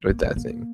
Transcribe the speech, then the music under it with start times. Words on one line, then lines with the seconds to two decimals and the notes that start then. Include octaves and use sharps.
with that thing.
0.10 A#3
0.23 A3
0.36 A#3